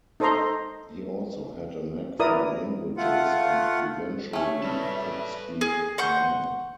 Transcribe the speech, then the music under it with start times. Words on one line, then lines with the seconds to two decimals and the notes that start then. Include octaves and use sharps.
He also had a knack for languages, and eventually could speak nine.
0.20 D#4 A4 C5 D#5 A#5 C6
2.20 E4 A#4 B4 D5 D#6
2.97 A3 F4 F#5
4.33 A3 C#4 E5
4.63 G3 B4 A5
5.61 G#4
5.98 F#5 C6 C#6 G6